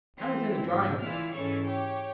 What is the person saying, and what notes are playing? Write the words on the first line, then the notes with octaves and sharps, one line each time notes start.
"I was in the drawing-room."
E3 C4
D#2 G#2 D4 E6
E3 E4 F4 D5 F6
G#2 E3 C#4 A4 C#5 C#6
G4 C#5 G5